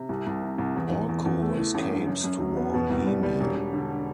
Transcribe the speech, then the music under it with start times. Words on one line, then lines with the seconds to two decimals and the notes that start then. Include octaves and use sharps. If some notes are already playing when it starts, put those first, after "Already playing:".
Orko escapes to warn He-Man.
Already playing: C3
0.09 C2
0.26 C2
0.42 C3
0.58 C2
0.76 E2
0.92 E2
1.09 E2
1.25 E2
1.42 A3
1.58 E3
1.74 A1
1.91 G2
2.07 F#2
2.24 F#2
2.40 F#3
2.57 B3
2.74 B2
2.90 C2
3.07 G3
3.23 G3
3.40 E1
3.56 E1
3.73 D3